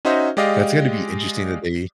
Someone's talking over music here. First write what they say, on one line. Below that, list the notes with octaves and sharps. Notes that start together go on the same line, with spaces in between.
That's gonna be interesting that they
C#4 D#4 F#4 C5 D#5 E5
G#3 G4 D5 D#5 F5